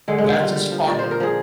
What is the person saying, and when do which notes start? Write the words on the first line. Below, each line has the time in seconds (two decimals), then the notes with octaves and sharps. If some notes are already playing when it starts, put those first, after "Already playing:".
That's as far
0.08 D3 G#3
0.18 G#3
0.24 D3 A#3
0.40 G3 F4
0.56 G3
0.71 F3
0.87 A#2 D5
0.99 F3 C5
1.11 A#4
1.20 F3 G#4